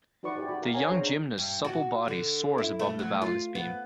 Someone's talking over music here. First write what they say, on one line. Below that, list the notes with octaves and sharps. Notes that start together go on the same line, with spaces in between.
The young gymnast 's supple body soars above the balance beam.
D#4 F#4 B4 D5 C#6
E4 G4 G#4 C5 D5
F#4 B5
A#4 F5 A#5
A#4 C#5 F5 F#5 G#5 A#5
D4 G#4 C5 C#5 A#5 C#6
G2
F#4
D3
E4
A3
F#3
F4
B3